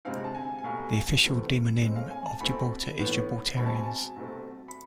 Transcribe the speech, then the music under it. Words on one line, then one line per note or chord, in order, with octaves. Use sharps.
The official demonym of Gibraltar is "Gibraltarians".
D2 C3 G#3 C4 F5
A5
G#5
G#5
C2 B2 A3 F5
E2 C3 E3 A3 C4
A2 G#3 C4
F5
G#5
A5
B2 A3 C4 B5
A2 E3 B3
B2 G#3 C4 B5
A5
G#5
A5
C2 B2 A3 C4
B5